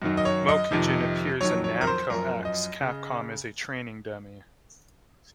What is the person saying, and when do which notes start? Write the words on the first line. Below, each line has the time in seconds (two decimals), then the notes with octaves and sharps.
Mokujin appears in Namco x Capcom as a training dummy.
0.02 F#2 D#3 F#3
0.17 D#5
0.25 C#5
0.49 D#5
0.71 F2 C3 D#3
1.41 F2 D#3 F#3 C#5
1.64 C#5
1.81 A#4
1.87 C5
2.10 F#2 F3 A#4
2.45 D#5
2.81 C#3